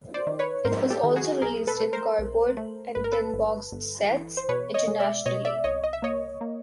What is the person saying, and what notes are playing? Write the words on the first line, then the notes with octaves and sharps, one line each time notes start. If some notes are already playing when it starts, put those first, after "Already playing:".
It was also released in cardboard and tin boxed sets, internationally.
C5 D5
D#3
B4 C#5
G#2 A#4 C5
G4 A4
D#3
F#4 G#4
B1 G#4 A#4
A4 B4
A3
A#4 C5
B1
A3
G1 B4
A#4
A4 B4
G1
G1
E3
C5
B2 B4 C#5
C#5 D#5
G#3
D5 E5
B2 C#5 D#5
D5 E5
C2 C#5 D#5
D#5
E5
A#3 C#5 D#5
A#3